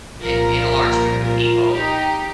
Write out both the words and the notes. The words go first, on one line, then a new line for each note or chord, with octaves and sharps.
in in a large group of people
C2 A#2 F3 F4 A#4
F4 A#4
D#4 G4